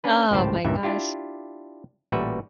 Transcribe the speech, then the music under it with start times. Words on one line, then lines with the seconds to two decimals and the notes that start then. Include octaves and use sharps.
Oh my gosh.
0.04 C#4 D4 B4
0.31 G#1 C#2 A2 G4 C5 A5
0.64 C#2 G2 A#2 E3 E5
0.83 D4 E4 F4 G4
2.12 A1 A#2 G3 F#4 B4 E5